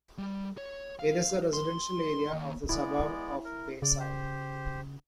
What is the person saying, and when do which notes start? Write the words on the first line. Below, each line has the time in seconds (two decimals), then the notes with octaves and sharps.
It is a residental area of the subarb of Bayside.
0.18 G3
0.58 C#5
0.99 F5
1.53 C6
2.33 D#2
2.69 G#3 B3 E4 D5
3.45 A#4
3.82 C#3 D5
4.00 G4 C5